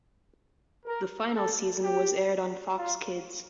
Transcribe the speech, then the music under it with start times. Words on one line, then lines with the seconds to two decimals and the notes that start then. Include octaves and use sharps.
The final season was aired on Fox Kids.
0.86 A#4
1.34 A4
1.82 G4
2.78 F4